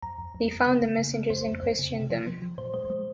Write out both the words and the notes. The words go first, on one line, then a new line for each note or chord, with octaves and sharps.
They found the messengers and questioned them.
F2 A#5
F2
F2
G#3
C#3
A#3
C#3
A#3
F2 C5
F2
F2
C#3
C3
F3
F3
F3
A#2 C5
G#3 C5
G#3